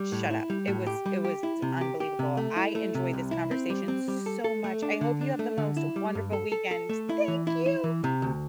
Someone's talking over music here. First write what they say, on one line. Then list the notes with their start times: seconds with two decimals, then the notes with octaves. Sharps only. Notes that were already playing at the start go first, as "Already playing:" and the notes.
s shut up, it was, it was unbelievable. I enjoyed this conversation so much. I hope you have the most wonderful weekend. Thank you.
Already playing: G3
0.12 A2
0.31 E4
0.50 G3
0.67 A2
0.87 G4
1.06 G3
1.24 G4
1.43 E4
1.62 C3
1.81 G4
2.00 G4
2.19 C3
2.37 A3
2.57 E4
2.75 A3
2.95 C3
3.13 C2
3.31 E4
3.51 C4
3.70 G3
3.88 C4
4.08 G3
4.26 A4
4.44 A4
4.64 A3
4.82 D4
5.01 D3
5.21 D4
5.39 A3
5.58 D3
5.77 E4
5.96 G3
6.15 G2
6.33 A4
6.52 A4
6.71 A4
6.89 A3
7.09 E4
7.28 E3
7.47 E4
7.66 E4
7.84 E3
8.04 C3
8.22 D2